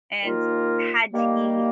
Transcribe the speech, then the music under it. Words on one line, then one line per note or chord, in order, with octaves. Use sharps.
and had he
D#2 D#3 A#3 F4 A#4
D#3 G3 A#3